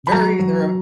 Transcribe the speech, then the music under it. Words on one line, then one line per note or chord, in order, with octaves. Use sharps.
very they're a
B5
F#3 A#5
F#3